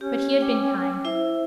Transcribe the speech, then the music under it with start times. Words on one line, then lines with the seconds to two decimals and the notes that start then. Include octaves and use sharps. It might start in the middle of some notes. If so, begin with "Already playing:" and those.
But he had been kind.
0.01 C#4 G4
0.41 G5 D6
1.05 E4 C5 E5